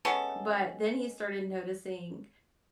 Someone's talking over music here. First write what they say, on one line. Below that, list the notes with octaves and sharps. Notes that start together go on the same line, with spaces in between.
But then he started noticing
G#3 B3 C#4 A4